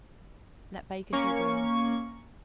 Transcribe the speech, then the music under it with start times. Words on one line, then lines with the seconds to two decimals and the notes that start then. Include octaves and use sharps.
Let bake until brown.
1.13 A#3 C#4 C#6